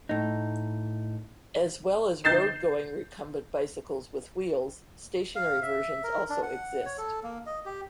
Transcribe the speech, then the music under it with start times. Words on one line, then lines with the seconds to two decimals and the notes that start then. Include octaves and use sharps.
As well as road-going recumbent bicycles with wheels, stationary versions also exist.
0.09 A2 D#4
2.24 G6 A6 C7 E7
5.36 F5
5.62 E5
6.04 A#4
6.30 D4
6.43 F#5
6.85 C#5
6.98 A4
7.23 A#3
7.46 D#5
7.65 G4